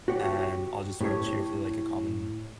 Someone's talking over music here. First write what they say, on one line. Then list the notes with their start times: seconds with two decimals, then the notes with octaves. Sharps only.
and I'll just sort of cheer for like a common
0.08 F#4 G4 C#5
1.01 A2 G4 C#5